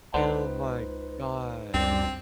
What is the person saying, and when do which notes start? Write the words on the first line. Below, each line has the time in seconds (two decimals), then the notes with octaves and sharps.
Oh my god!
0.14 C#2 D#4 B4 C5
1.74 C#2 F#2 G3 C4 D4